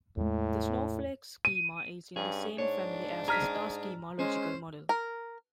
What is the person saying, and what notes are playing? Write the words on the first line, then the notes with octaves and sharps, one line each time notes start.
The snowflake schema is in the same family as the star schema logical model.
E2 A2 G#3
D#7
G2 C#4 G#4
G#2 D4 C#5
G#4 A#5 F6 B6
G#3 C#4 C5
A#4